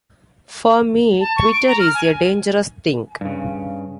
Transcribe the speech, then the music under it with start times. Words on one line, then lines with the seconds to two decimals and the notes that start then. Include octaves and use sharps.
For me Twitter is a dangerous thing.
1.20 A5
1.36 C#6
1.53 D7
1.67 A#5
1.80 F6
1.94 G#5
3.21 G2 C#3